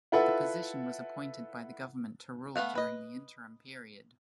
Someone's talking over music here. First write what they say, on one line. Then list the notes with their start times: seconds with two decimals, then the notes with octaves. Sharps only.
The position was appointed by the government to rule during the interim period.
0.12 E4 F4 A4 B4 E5 F#5
2.56 A3 B3 F5 F#5
2.75 B4 D#5